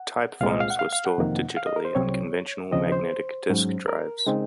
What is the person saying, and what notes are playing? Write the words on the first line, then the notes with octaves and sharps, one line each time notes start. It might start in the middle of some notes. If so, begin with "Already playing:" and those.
Type fonts were stored digitally on conventional magnetic disk drives.
Already playing: F#5
C2 A#2 G#3 C4 F4 F5
D#5
F5
F#5
F5
F5
F#5
F2 C3 D#3 A#3
F5
D#5
A#4
C5
C2 C3 F#3 C4 C#5
D#2 C#3 F3 C4 D#5
C5
G#2 F#3 C#4
A#4
C#3 G#3 C4 D#4